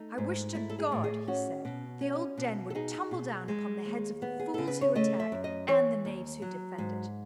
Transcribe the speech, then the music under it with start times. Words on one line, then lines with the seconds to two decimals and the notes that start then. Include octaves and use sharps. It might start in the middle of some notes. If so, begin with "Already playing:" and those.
'I wish to God,' he said, 'the old den would tumble down upon the heads of the fools who attack and the knaves who defend it!
Already playing: A3 D#4
0.18 G#2
0.55 A3 E4
0.70 A4
0.79 G#4
0.92 A2
1.04 G#4
1.27 C#4 F#4
1.65 B2
2.01 C#4
2.37 B2
2.70 A4
2.75 D#4 G#4
3.11 B2
3.48 G#3
3.85 D#2
4.22 B3
4.39 G#4
4.54 C#3 A4
4.67 B4
4.81 C#5
4.95 A3 D#5
5.20 E5
5.32 F#2
5.44 D#5
5.68 E3 C#5
6.05 D#2
6.42 F#3
6.78 G#2